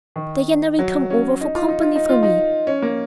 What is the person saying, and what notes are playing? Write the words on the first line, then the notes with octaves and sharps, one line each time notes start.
Diana will come over for company for me.
D#3
F#3
C#4
D#4
F4
D#4
F4
D#4
F4
D#4
C#4
A#3